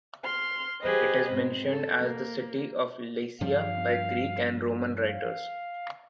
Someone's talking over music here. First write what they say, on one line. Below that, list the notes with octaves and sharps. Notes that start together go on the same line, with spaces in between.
It is mentioned as the city of Lycia by Greek and Roman writers.
C6 F6
G4 G#4 B4 C5 D#5
G#2 C4
A4
A#3
G2 F3 G3 F5
F5